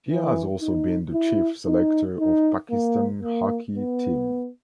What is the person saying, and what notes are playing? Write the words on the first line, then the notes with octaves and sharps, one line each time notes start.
He has also been the Chief Selector of Pakistan hockey team.
E3
D#4
E4
D#4
D#4
A#3
A#3
B3